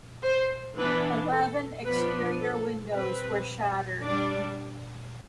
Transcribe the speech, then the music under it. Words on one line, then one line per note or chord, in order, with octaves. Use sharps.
Eleven exterior windows were shattered.
C5
E3 B3 D4 B4
A4
F3 B3 D4 B4
A4
G3 C4 B4
G3 D4 D5